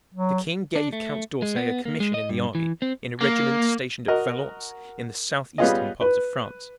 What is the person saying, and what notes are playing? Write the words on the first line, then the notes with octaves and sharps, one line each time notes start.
The king gave Count d'Orsay a commission in the army in a regiment stationed at Valence in the southeastern part of France.
F#3
D4
A3
G#3
B3
A#3
G#3
D#5
G2
E3
C4
A#3
F#4 A#4 D#5
G3 B3 C#4 F4 G#4 D#5
B4